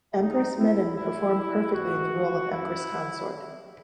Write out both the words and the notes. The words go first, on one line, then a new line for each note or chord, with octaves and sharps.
Empress Menen performed perfectly in the role of Empress-consort.
F#2 D#3 F#3 D#4
E4
G#2 F#3 E4
G#2 E3 F#4
F#2 E3 E4